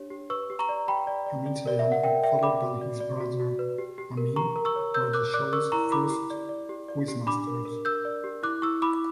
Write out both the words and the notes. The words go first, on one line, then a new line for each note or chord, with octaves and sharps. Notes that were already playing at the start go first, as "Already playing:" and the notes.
Hamid Sayani, followed by his brother Ameen, were the show's first quizmasters.
Already playing: D4 G4 C#5
G4
B4 C#6 E6
G4
A#5 C#6
D5
G4 G5 B5
D5
D5
D5
A#4 D5
E5
A#4
F#5
A#4 E5 G5
D5 E5 G5
D5 B5 D6
F#4
D5
D5
F#4
F#4
B4
G4
G4
A#4
G4 A#5 C#6
A#4
C#6 E6
C#5
A#4 E6 G6
A#4 D6 F#6
D5 D6 F#6
A#4 C#6 E6
E4 A#5 C#6
E4 B5 D6
G4
D5
D5
G4
D5
G4
D4 B5 D6
A#4
A#4
A#4 E6 G6
D5
G4
E4 D6 F#6
E4 C#6 E6
E4 B5 D6